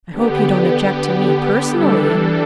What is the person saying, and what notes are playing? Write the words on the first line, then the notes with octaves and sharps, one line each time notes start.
"I hope you don't object to me personally."
D3 B3 G4
E3 G3 D4 A4